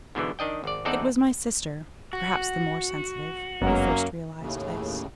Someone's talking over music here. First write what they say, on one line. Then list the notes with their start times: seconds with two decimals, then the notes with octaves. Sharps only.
It was my sister, perhaps the more sensitive, who first realized this.
0.15 G#2 B2 D3 E3
0.39 D#3 D4 D#5 G5
0.64 G#1 D5
0.85 E2 C4 D#4 A4 D5 F#5
2.13 F#4
3.61 G1 F#2 F#3 G#3 A#3 B3 C#4
4.40 D#2 A2 C#3